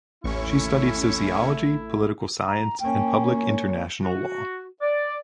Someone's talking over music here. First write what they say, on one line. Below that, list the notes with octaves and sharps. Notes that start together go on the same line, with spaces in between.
She studied sociology, political science and public international law.
A1 D#2 A3 C#4 E4 C#6
A#5
A#3 C#4 G5
C#5
F#4
D5